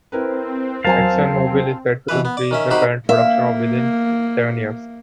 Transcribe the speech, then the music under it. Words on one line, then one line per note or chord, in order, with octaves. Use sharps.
ExxonMobil is set to increase the current production of within seven years.
C4 E4 A#4 B4
E2 F#3 A#4 C5 F5 G#5 A5
B2 E3 B4
B3
D5
D#3 C#4 E5
C3 D#3 F#4 G4 C5 B5
A#3 E5 F5